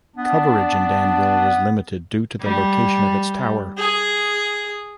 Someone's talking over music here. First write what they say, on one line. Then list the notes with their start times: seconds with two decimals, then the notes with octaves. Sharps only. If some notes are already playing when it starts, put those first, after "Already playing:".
Coverage in Danville was limited due to the location of its tower.
0.16 B3 D4
2.40 G3
3.76 G#4